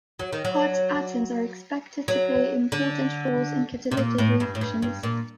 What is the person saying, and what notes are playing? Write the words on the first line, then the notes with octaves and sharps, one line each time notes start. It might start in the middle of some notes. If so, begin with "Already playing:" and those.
Hot atoms are expected to play important roles in catalytic reactions.
F#3
D#3
F#3
F#3
D3
C3
A#2
A2
G2
A2
G2
G2
A#2